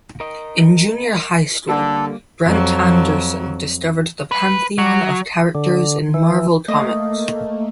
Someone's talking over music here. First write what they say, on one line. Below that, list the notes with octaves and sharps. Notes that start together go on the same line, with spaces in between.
In junior high school, Brent Anderson discovered the pantheon of characters in Marvel Comics.
A#4 D#5
D3 G3 A#3 A4
F2 F#3
B4
F#3
D3
E3
A3 A#3 D#5